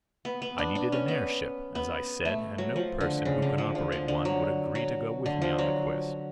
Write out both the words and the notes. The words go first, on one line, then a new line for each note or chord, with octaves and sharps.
I needed an airship, as I said, and no person who could operate one, would agree to go with me on the quest.
B3
B3
D4
D4
C#4
B3
B3
A3
F#3
F3
D3
C#3
D3
F3
F3
D3
D3
F#3
F#3
D3
F3
F#3